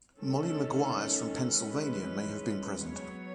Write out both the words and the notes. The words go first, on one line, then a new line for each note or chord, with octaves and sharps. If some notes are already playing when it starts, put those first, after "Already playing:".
Molly Maguires from Pennsylvania may have been present.
D#3 A3 C#4 A4
E3 G#3 C#4 B4
F#3 B3 C#5